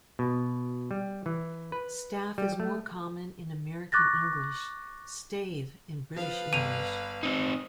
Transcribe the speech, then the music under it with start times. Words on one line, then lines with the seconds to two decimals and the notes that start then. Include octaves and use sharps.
"Staff" is more common in American English, "stave" in British English.
0.19 B2
0.91 G3
1.26 E3
1.72 B4
2.38 G3
2.60 A3
3.92 C#6 D6 F#6 A6 A#6
6.16 F3 B4 F5
6.53 G1 D#7 F7
7.23 C4 D#4